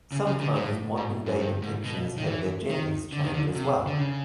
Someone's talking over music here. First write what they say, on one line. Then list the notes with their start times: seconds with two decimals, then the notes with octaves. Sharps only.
Sometimes modern day depictions have their genders change as well.
0.12 C#3
0.27 C#3
0.41 D3
0.56 A2
0.97 G#2
1.26 F#2
1.41 G2
1.62 G#2
1.84 B2
2.18 D#3
2.26 E3
2.70 D#3
3.12 D3
3.24 D#3
3.34 D3
3.55 C3
3.87 D3
3.98 C#3